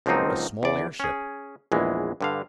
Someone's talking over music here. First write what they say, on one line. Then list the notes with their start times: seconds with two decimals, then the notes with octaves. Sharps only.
"What a small airship."
0.06 C#2 F3 F#3 A#3 C4 D#4
0.63 E2 D5
1.00 C#4 G#4
1.72 A#1 E2 E3 G#3
2.21 G2 D3 F5